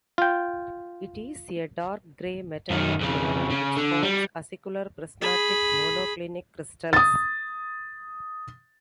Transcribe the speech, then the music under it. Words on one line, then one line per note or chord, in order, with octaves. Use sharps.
It is a dark grey metallic mineral which forms acicular prismatic monoclinic crystals.
F4 G5
F#2 D#3
F2 C#3
C#3
D3
G3
G#4 B5
D#6 A6